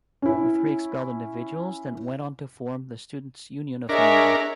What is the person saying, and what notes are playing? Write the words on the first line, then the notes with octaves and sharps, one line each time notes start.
The three expelled individuals then went on to form the Students Union of Namibia.
C#4 E4
D4 G#4 A#4 C#5 D#5 E5